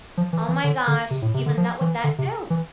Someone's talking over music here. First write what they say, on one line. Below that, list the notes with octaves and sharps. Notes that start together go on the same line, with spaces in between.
Oh my gosh. He's a nut with that too!
F3
E3
E3
D3
D3
C3
A2
C3
D3
F3
E3
D3
C3
E3